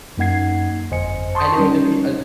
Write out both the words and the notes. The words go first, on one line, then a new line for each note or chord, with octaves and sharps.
and, you know, to be an
F#2 A#3 D#4 F#5 G#6 C7
G1 F2 C5 D#5 G#5 C#7
A5 C6 C#6 D#6 G6
G3 C#4 D#4